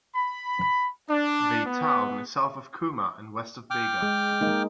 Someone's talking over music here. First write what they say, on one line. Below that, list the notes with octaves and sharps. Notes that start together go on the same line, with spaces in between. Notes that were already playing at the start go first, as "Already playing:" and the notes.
The town is south of Cooma and west of Bega.
B5
D4
B3
G5 D6 F6
G#3
G#3 A#3 D#4